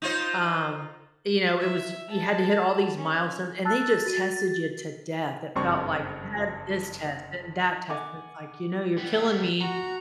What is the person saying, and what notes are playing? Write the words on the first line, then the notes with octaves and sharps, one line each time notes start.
um, you know, it was y you had to hit all these milestones and they just tested you to death. It felt like you had this test and that test, and it's like, you know, you're killing me
D#4 F4 C5
E5
A5
C#4
A5 E6 F#6 A6
F#4 D#7
F#1 G2 C4 C#6
F#5 G#5 D6
G3 B3
F#4 A#5